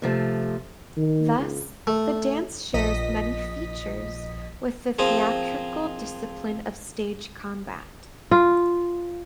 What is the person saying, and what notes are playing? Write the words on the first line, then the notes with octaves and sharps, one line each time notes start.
Thus, the dance shares many features with the theatrical discipline of stage combat.
C3 F3 A3
D#3
C#2
A3
A#1 D#5 B6
F3 C4 G#4 A#4
F4